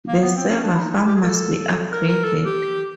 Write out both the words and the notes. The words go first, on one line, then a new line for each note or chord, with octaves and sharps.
The server farm must be upgraded.
A#3
B3
C4
C#4
D4
E4
D#4
D#4
E4
G4
G#4
A#4
A4
A#4
A#4
A4
G4